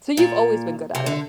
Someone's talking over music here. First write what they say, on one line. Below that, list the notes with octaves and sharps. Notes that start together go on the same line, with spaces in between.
So, you've always been good at it?
A#2
C3
D3